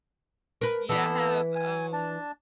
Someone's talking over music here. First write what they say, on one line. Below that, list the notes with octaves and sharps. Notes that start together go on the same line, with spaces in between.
yeah, I have, um,
A#4 B4
E3 B3 E4 A4 E6
G#5
D4 A5